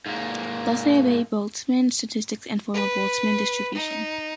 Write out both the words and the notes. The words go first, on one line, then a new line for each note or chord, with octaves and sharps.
Thus they obey Boltzmann statistics and form a Boltzmann distribution.
G#2 A#3
B4
D#4